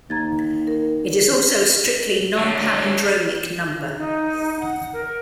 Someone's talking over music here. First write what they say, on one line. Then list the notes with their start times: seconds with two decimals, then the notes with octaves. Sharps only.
It is also a strictly non-palindromic number.
0.10 D#2 A#5 G#6 A6
0.67 A#4
2.38 D3 F#3
3.98 D#4
4.60 F#5
4.93 A#4